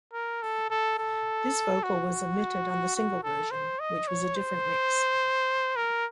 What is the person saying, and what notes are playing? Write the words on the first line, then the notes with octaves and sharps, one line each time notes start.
This vocal was omitted on the single version, which was a different mix.
A#4
A4
A4
A4
F#4
F#4
A4
C5
D#5
C#5
C5
A#4